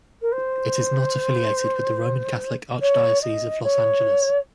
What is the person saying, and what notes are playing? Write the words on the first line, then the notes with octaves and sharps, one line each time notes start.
It is not affiliated with the Roman Catholic Archdiocese of Los Angeles.
A#4
C5
C#5
D#5
C#5